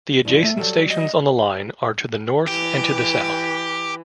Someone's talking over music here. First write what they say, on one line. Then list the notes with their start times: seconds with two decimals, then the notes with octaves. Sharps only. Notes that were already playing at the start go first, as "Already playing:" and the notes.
The adjacent stations on the line are to the north and to the south.
0.25 G2 F3 E4
0.42 A3 E5
0.57 F#3 G3 A4
0.89 D#5
2.48 E3 G4